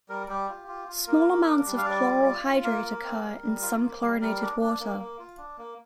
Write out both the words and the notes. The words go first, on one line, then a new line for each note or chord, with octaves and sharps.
Small amounts of chloral hydrate occur in some chlorinated water.
G3 A#4
G3 G4
F4
F4
F4
A#3 A#4
A#3
D4
G3
F5
G3 D5
F4
F4
F4
A#3 A#4
A#3
C4
G3
G3
F4
A#3
G3
G3 A#4
D4
D4
A#3
A#3
F4
D4
A#3